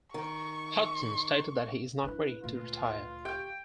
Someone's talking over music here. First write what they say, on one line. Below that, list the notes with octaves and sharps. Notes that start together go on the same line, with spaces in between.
Hudson stated that he is not ready to retire.
D#3 C#6
D4 E4 B4 F#6
D2 A#2 F4
G4 F5 G5 C#6